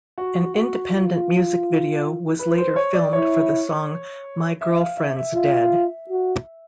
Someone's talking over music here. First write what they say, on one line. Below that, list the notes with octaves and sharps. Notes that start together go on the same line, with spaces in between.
An independent music video was later filmed for the song My Girlfriend's Dead.
F#4
F#4
F4
B4
C5
C#5
D5
E4 C#5
E5
F5
E5
E5
F4 E5
F#4